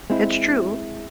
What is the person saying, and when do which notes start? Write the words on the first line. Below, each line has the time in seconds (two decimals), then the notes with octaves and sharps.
It's true.
0.10 G#3 C4 E4